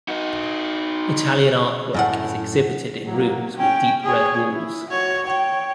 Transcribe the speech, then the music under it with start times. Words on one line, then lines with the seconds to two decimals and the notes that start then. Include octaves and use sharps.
Italian artwork is exhibited in rooms with deep red walls.
0.08 D#4 F#4
1.94 F#2 A2 F#5
3.06 F#3 A#3
3.56 C#4 G5
4.03 G#4 C#5
4.51 E4
4.90 F#4 C#5
5.26 C#5 G5